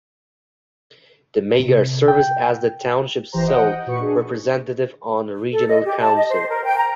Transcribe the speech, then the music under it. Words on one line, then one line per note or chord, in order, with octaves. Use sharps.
The mayor serves as the township's sole representative on Regional Council.
C3
G5
G1 E3 G4 C5 A#5
D#5 F#5 G5
A#2 F#4 B4 C#6 C#7
D4 G#4
A4
D#5
G4
A5
D#5
C5
A#4
G5
A#5